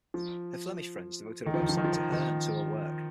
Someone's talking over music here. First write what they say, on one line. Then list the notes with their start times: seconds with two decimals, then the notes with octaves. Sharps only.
Her Flemish friends devoted a website to her and to her work.
0.14 F3
1.46 D#3
1.54 F3
1.62 D#3
1.69 F3
1.77 D#3
1.85 F3
1.93 D#3
2.12 D#3